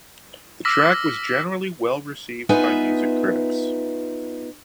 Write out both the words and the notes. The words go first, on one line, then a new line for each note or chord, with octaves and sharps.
The track was generally well received by music critics.
D6 E6 F6 A#6 B6
B3 D#4 F4 B4 E5 G#5